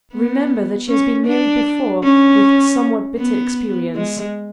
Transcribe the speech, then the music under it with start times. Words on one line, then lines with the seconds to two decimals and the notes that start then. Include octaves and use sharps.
Remember that she has been married before, with somewhat bitter experience.
0.12 B3
0.88 C#4
1.27 D4
2.03 C#4
3.19 B3
3.94 G#3